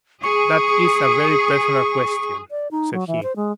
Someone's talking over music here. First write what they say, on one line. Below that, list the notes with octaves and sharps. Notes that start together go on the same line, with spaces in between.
"That is a very personal question," said he.
G#4 C#6
D5
D#4
F#3
E3
C5
G#3